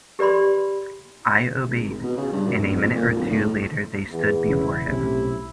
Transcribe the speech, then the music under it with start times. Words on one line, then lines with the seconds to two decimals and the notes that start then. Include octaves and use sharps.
I obeyed, and a minute or two later they stood before him.
0.19 G4 B4 D5 B5 C6
1.68 G#1
1.81 G#1
2.03 B2
2.17 C#3
2.32 G2
2.46 F#2
2.62 D#1
2.75 F2
2.96 A#2
3.16 D1
3.31 A2
4.11 E2
4.48 E1 C#3 C#4 E4
4.88 B1 A2 C3 C#4